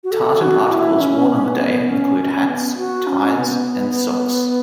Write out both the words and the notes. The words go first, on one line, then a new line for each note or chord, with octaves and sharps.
Tartan articles worn on the day include hats, ties and socks.
F#4
A4
F#4
E4
C#4
B3
C#4
C#4
B3
F#4
C#4
B3